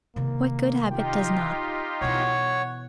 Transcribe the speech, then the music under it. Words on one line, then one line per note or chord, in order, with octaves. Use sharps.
What good habit does not?
C3 D#3 A#3
D#4 F4 G4 G5
B2 E3 C#5 F#5